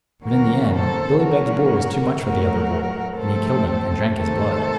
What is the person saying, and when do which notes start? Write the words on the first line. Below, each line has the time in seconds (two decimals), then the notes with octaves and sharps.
But in the end, Billy Beg's bull was too much for the other bull, and he killed him, and drank his blood.
0.25 D#2 D#3 F#3 A#3 C#4 F#4 A#4
0.73 A4 C5
1.22 C#3 F#3 A#3 C#4 F#4 A#4
2.19 A2 F#3 A3 F#4 A#4
3.17 C3 F3 A3 C4 A4 C5
4.14 C3 D#3 A3 A4 C5